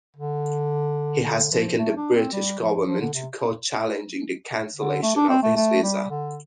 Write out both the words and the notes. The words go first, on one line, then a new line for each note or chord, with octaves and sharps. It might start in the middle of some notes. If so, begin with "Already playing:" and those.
He has taken the British Government to court challenging the cancellation of his visa.
D3
D3
F3
A3
D4
C4
G3
F3
F3
D3
C3
D3
A3
D4
C4
A3
A3
G3
D3